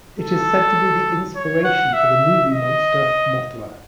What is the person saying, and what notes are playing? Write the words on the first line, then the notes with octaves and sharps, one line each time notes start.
It is said to be the inspiration for the movie monster Mothra.
A4
C#5
F#5
E5
D#5